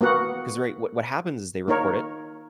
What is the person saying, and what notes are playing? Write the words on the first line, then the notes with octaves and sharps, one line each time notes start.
'cause, right, what what happens is they record it,
A#3 B3 F#4 F#5
A#3 D#4 A#4 C#5